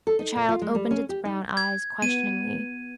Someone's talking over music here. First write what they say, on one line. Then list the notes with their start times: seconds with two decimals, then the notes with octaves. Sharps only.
The child opened its brown eyes questioningly.
0.07 A4
0.19 D#4
0.36 A#2
0.49 F4
0.62 G#3
0.75 G3
0.91 C#4
1.09 G4
1.25 D#4
1.57 G#6
2.02 B3 D#7